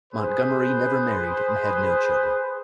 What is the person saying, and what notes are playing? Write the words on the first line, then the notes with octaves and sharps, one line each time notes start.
Montgomery never married, and had no children.
G#4 B4 C5